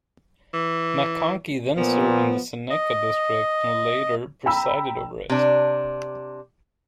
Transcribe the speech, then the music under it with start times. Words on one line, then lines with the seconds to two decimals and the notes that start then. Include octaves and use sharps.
McConkie then served in the Seneca District and later presided over it.
0.53 E3
1.77 A#2 F3 B3
2.70 D#5
4.46 G5 A#5 B5 E6
5.30 C3 D4